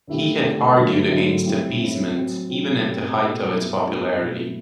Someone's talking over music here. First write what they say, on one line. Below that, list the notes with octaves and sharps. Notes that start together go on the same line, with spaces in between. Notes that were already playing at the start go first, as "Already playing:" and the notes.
He had argued against appeasement, even at the height of its popularity.
D3 A3 E4 G4
D3 A3 E4 G4
F#2 D3 F#3 A3 E4
F#2 D3 F#3 A3 E4
A2 G3 C4 E4 G4
A2 G3 C4 E4 G4
A2 F#3 C4
A2 F#3 C4
B2 A3 C4 G4
B2 A3 C4 G4
G2 F#3 B3 E4 G4
G2 F#3 B3 E4 G4
B2 A3 E4